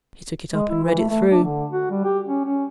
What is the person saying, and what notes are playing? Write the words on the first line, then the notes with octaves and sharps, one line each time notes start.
He took it up and read it through.
G#3
E4
E3
A3
A3
D4
D3
F#4
G3
G4
C#4
C#4